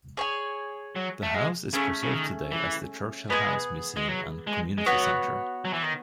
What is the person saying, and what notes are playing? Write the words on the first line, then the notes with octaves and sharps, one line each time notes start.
The house is preserved today as the Churchill House museum and community centre.
G#4 C#5 G#5
F#3
A3
G#3
C#3 A3 C#4 G#4
C#3
D#3
E3
G#3 B3 E4 G#4
G#3
F#3
G#3
G#3
F#3 B3 F#4 C#5
F#3
E3
D#3